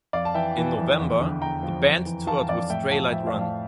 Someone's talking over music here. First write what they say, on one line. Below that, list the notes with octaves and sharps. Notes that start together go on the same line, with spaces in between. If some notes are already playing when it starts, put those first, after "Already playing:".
In November, the band toured with Straylight Run.
F2 D5 F5
A5
E3 E5 G5
E3
F2
E2
D3
E2 G5 A#5
F3
F2
E3
E3 F5 A5
F2 D5 F5
A2 E5 G5
F3 F5 A5
F3 E5 G5
D5 F5
A2
F5 A5